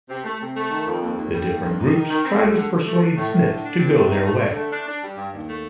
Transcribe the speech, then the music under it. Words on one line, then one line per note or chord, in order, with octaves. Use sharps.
The different groups try to persuade Smith to go their way.
C3
A3
C3
A3
D#3
F2
D#2
D#2
G3
D#2
G2
D#4
D#3
D#3
C4
D2
D3
D3
A3
D4
A2
A2
D3
D4
C4
A2
D#4
A3
D3
A3
D4
D4
G3
G2
D#2
A3